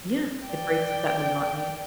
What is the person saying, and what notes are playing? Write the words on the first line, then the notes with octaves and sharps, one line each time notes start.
Yeah, it breaks up that monotony.
D5 G5